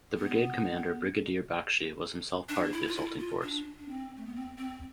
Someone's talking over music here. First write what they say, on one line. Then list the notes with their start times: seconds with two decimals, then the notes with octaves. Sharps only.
The Brigade commander Brigadier Bakshi was himself part of the assaulting force.
0.18 B3
2.49 D4
2.73 E4
2.88 F4
2.96 E4
3.19 F4
3.42 D4
3.78 D4
3.89 C4
4.17 A3
4.26 B3
4.35 C4
4.58 C4